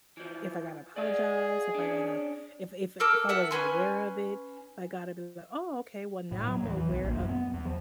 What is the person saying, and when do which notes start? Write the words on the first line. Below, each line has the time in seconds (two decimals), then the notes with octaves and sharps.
if I gotta apologize, if I gotta if if if I wasn't aware of it, I gotta be like, "Oh, okay, well now I'm aware of
0.17 E3 F3
0.96 G#4 D5 D#5 F5
1.74 C#4 D4
3.00 A4 A#4 D6 E6
3.29 E5 F#5 A5
3.51 C#4 B4 G#5 C6
6.32 A2
6.47 F#3
6.64 E2
6.76 E3
6.90 B1
7.03 A#1
7.15 F#2
7.29 B3
7.54 E2
7.65 F3